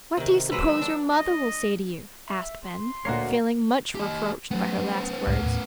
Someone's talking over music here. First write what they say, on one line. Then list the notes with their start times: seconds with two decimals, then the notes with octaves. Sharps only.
"What do you suppose your mother will say to you?" asked Ben, feeling much reproached by her last words.
0.17 C3 D#3
0.52 F#3 G#3 B4 E6
0.81 D4
1.11 D#5
2.29 E5
2.64 C6
3.05 D2 A#2 A#3 F#4 C#5 C7
3.95 G4 D#5
4.51 F#3 A3 B3 C5
5.27 C#2 A2 B3 A#4
5.41 D#2 A2